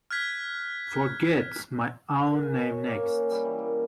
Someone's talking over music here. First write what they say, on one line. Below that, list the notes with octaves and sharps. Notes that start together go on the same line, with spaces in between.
Forget my own name next.
F6 F#6 G#6 B6
A#4
G#5
C#5
C#5
A#3
C#4
F5
G3
E3
A#3